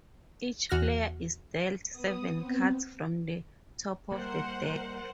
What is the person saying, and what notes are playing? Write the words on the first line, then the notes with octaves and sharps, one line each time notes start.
Each player is dealt seven cards from the top of the deck.
E2 F#4 F6 F#6 A#6
B3 D#6
B3 C4
G3 A#3 A#4 C5 F#5